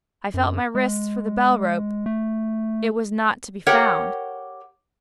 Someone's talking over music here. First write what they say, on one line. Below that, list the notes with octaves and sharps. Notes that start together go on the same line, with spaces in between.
I felt my wrists for the bell-rope: it was not to be found.
F#2
G#3
A3
G4 A#4 C#5 F#5 G5